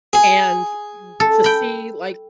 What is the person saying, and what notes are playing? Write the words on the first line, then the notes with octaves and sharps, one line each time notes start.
and you to see, like,
G#4
A4
G5 B5